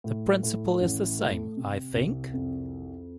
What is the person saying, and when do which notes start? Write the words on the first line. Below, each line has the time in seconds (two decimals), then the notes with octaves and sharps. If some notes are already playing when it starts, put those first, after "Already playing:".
The principle is the same, I think?
0.04 A2
0.43 A2
0.80 A1
1.19 A3
1.57 C3
1.95 C2
2.34 F2